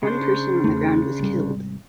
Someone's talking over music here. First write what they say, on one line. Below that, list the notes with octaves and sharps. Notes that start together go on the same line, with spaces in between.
One person on the ground was killed.
C#3 D4 C5
E2 A3
G#1 C3 G3